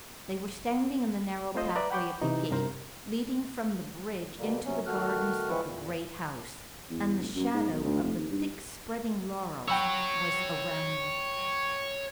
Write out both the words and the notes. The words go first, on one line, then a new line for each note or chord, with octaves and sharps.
They were standing in the narrow pathway of the gate leading from the bridge into the gardens of the Great House, and the shadow of the thick-spreading laurels was around them.
A3 C4 F4 C5 D#5
B4 D5 E5 A#5
F#5 G5 B5 C#6 D6 G6
C3 E3 D#4
G2 C3 A#4 C5
B2 D3 G3 A#3
C3 F#3 C#4
D#3 A3 F#4 A4 F6 F#6
F3 G#3 C4 E4 B4 C#6
E2 A#2
E2
F1
F#2
G#2
B1
D2
F1
D#2
G2
C#5 F#5 G5 B5 E6